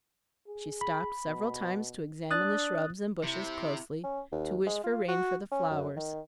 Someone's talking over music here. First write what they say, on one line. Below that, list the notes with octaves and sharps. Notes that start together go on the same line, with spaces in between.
She stopped several times to examine the shrubs and bushes closely, to wish for rain for the flowers.
G#4
B5
B2
D4 D#6 F#6 A6
C3 E4
C#4
D#2
G#3
F4
F#4
C#4
F#2
D#3